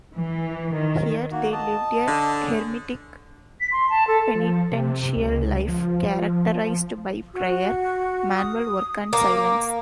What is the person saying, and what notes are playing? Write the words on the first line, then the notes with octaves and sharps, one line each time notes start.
Here they lived a hermitic penitential life characterised by prayer, manual work and silence.
E3
D#3
A#3 F#4
D#5 A5
D3
G#4 C#5
B6
C6
A5
A4
F3
C3
C#2
F3
F#4
D#6
A#3 D6